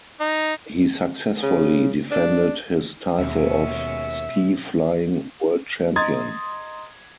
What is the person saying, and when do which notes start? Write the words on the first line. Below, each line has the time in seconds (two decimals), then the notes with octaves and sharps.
He successfully defended his title of Ski Flying World Champion.
0.20 D#4
1.43 C#3
2.11 D4
3.19 D#2 B2 G#3 C#4 E5
5.96 D#5 A#5 C6 D#6 G#6 A6